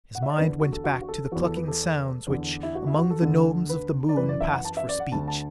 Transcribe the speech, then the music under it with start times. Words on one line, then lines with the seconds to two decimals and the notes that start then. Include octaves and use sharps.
His mind went back to the clucking sounds which, among the Gnomes of the Moon, passed for speech.
0.15 F#5
0.22 E5
0.30 D5
0.37 E2 D3 B4
0.61 F#4
0.73 A4
0.84 F#4
1.01 F#4
1.09 A4
1.32 E2 E3 F#4
1.43 A4
1.56 B4
1.68 A4
2.27 E2 D3
2.63 E4
2.75 F#4
2.87 E4
2.98 F#4
3.10 A4
3.22 D2 D3
3.69 B4
4.09 D5
4.17 F#2 E3 B4
4.29 D5
4.41 E5
4.53 F#5
4.65 A5
4.77 E5
4.89 D5
5.00 F#5
5.12 D2 D3 A5
5.28 A5